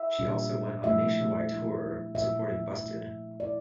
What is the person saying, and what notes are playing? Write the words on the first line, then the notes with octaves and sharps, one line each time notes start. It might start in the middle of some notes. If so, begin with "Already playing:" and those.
She also went on a nationwide tour supporting Busted.
Already playing: E5
A#2 G3 D4
F3 A3 E4 E5
F3 A3 E4
A#2 F3 A3 E4 E5
A#2 F3 A3 E4
D5
E4